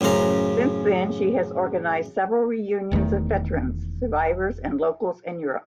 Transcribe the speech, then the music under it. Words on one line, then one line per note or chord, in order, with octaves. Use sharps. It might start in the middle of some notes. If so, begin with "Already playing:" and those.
Since then, she has organized several reunions of veterans, survivors and locals in Europe.
A1 F#2 C#3 C5 A#5
E1 E2 D#3 A3